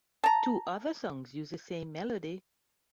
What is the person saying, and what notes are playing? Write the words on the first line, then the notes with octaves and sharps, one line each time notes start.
Two other songs use the same melody.
A5 A#5